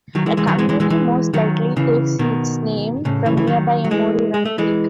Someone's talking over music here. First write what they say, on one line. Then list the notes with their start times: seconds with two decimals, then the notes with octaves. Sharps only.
The community most likely takes its name from nearby Emory Run creek.
0.15 D#3 F#3
0.26 E3 G#3
0.37 E3 G#3
0.47 D#3 F#3
0.59 E3 G#3
0.69 E3 G#3
0.80 E3 G#3
0.90 E3 G#3
1.34 D#3 F#3
1.77 C#3 E3
2.19 B2 D#3
3.05 A2 C#3
3.26 C#3 E3
3.37 E3
3.47 D#3 F#3
3.84 F#3
3.91 E3 G#3
4.34 G#3
4.45 A3
4.58 E3 G#3